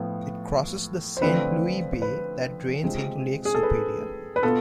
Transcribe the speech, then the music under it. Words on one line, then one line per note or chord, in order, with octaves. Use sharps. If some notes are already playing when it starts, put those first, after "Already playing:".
It crosses the Saint Louis Bay that drains into Lake Superior.
Already playing: A2 F3 B3
C5
D3 F3 A3 C4 B4
B4
C3 G#3 C4 F4
G#4
A4
B4
B4
B2 B3 F4 A4